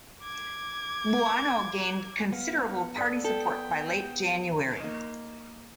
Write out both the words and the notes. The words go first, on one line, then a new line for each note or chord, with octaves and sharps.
Buono gained considerable party support by late January.
D6 G#6
B3 F5
A4 D5 D#6 B6
A4 G5
A#3 D#4